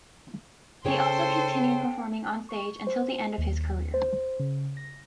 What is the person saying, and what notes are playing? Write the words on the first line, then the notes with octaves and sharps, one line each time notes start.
He also continued performing on stage until the end of his career.
C#3 G#4 A4 C5 C#5 G5 C6
C#6
C5
D#2
C5
C#3
A#6